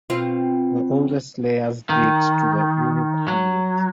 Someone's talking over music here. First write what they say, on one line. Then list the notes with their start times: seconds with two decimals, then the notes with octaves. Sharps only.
The oldest layers date to the Uruk period.
0.10 B2 C4 F4
1.90 D#3
3.28 F#3